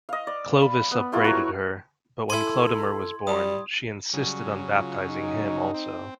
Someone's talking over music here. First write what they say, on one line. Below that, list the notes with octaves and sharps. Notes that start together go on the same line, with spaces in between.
Clovis upbraided her; but when Chlodomer was born, she insisted on baptising him also.
D#5 F5
D5
B5
B3
G3 A3 E4 F4
F#4 A#4 C#5
E4 A4 G#5 C6 G#6
G3 D#6
C#3 F#3 G3
F4
D#4
C4